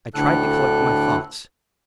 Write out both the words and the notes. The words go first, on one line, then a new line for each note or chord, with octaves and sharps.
I tried to collect my thoughts.
D2 A2 D3 A4 F#6